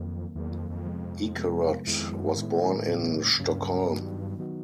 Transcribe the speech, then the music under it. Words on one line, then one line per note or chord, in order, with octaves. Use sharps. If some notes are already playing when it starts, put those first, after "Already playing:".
Ekerot was born in Stockholm.
Already playing: F2 D#3 F#3 A#3
E2 D#3 F#3 A#3
F2
F2
C3 F3 G#3 B3
C3 F3 G#3 B3
F2 D#3 G#3 B3 E4
F2
F#2
G2
A2 D#3 G#3 B3 E4
D2 C#3 F#3 A#3 C#4
D2 G2 C#3 F#3 A#3 C#4
G2 D#3 F#3 B3 D#4 F#4
D#3 F#3 B3 D#4 F#4